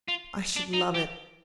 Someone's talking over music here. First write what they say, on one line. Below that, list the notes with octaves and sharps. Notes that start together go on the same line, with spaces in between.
"I should love it."
F4
D4
D#4
G4